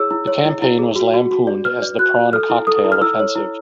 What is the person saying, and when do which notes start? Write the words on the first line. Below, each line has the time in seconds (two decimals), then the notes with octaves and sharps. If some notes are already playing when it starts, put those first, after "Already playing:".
The campaign was lampooned as the "Prawn Cocktail Offensive".
Already playing: E4 G#4 C#5 E6
0.11 E4
0.28 C#5
0.45 E4
0.62 E4
0.79 G#4
0.96 F#4
1.14 F#4
1.31 F#4
1.47 D5
1.65 B4 F6
1.82 D5
1.99 F#4 F#6
2.16 D5
2.33 A4 F6
2.50 E4
2.67 A4 D#6
2.84 E4
2.92 F6
3.02 E4 E6
3.20 C#5
3.36 E4